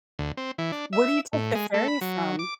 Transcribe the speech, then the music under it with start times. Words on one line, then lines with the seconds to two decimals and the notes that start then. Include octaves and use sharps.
Where do you take the ferry from?
0.19 D2
0.37 C4
0.58 E3
0.72 D4
0.93 E5
1.33 A2
1.55 G#3
1.74 A3
1.88 B5
2.01 F#3
2.39 D6